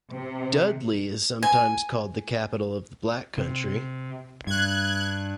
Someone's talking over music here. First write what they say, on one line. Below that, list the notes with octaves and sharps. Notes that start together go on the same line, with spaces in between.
Dudley is sometimes called the capital of the Black Country.
C3
G#5
C3
G2 F#6 G#6